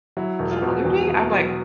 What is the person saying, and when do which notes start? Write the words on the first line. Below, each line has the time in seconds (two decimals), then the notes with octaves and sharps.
some other day?" I'm like
0.17 F#3 E4
0.39 E1
0.51 F4
0.62 B2
0.85 E2 F#4
1.08 E2
1.31 F#3